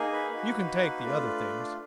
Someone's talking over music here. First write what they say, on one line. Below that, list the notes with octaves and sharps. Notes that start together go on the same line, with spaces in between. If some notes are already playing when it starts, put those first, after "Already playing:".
"You can take the other things."
Already playing: A#3 D#4 G#4
B4
A#3 D#4 F#4
A3 D4 F4